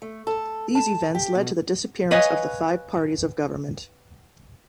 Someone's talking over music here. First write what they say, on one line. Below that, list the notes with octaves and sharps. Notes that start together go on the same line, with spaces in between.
These events led to the disappearance of the five parties of government.
A3
A4
A5
G4
B2
B4 C#5 D#5 F5 G#5